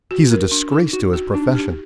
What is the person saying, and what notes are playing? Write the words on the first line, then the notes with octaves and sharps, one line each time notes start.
"He's a disgrace to his profession!"
F#4
A#4
D4
D#4 A4
D#4 F#4
F#4
D4 D#4
G4